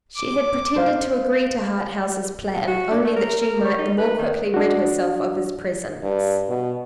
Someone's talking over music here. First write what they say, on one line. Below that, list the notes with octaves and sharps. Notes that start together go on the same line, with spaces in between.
She had pretended to agree to Harthouse's plan only that she might the more quickly rid herself of his presence.
D6
F4 C5
F#4
D4
A3
A#4
A#4
C#5
D#4
B4
D#3
D4 F#4
G2
B2